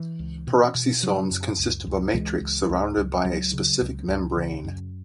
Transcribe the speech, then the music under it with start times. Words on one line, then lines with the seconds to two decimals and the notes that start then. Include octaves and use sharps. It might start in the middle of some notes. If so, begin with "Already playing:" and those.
Peroxisomes consist of a matrix surrounded by a specific membrane.
Already playing: E3
0.19 C#2
0.47 B2
0.75 B2
1.02 C#3 F#3
1.31 F#2
1.59 C#2
1.87 C#2
2.14 C#2 E3 G#3
2.41 C#2
2.69 C#2
2.97 C#2
3.25 C#2 F#3
3.53 C#3
3.81 C#2
4.08 C#2
4.36 C#3
4.65 F#2